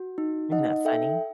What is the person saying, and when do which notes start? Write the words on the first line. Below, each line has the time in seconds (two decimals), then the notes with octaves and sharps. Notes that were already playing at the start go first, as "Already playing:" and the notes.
Isn't that funny?
Already playing: F#4
0.18 D#4
0.51 D#4 D#5 F#5
0.85 A4 E5 G5